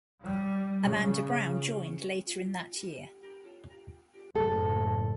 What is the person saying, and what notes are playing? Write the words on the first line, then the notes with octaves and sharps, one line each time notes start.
Amanda Brown joined later in that year.
G3
C#3
F#1 A2 A4